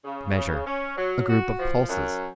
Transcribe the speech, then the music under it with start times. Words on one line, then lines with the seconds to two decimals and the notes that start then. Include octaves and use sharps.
Measure: A group of pulses.
0.04 C#3
0.35 C#3
0.66 C#4
0.97 F#3
1.27 F#4
1.58 F3
1.89 F#2